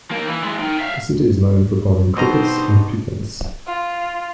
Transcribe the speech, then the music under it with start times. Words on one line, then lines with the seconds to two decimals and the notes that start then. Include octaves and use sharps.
The city is known for farming crickets and pecans.
0.11 A#3 D#4
0.27 E3
0.44 E3 G#3
0.60 D#3
0.77 E5 F5
2.17 B2 C4 D4 D#4 C5 D#5 A#5
3.67 F4